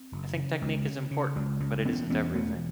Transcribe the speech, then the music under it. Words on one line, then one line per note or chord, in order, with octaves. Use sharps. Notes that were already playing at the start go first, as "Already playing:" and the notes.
I think technique is important but it isn't everything.
Already playing: C4
F#1
C#3
C#2
C#3
C#3
C#2
C#2
E1 B3 C#4
E2 B3 C#4
E1 A3 B3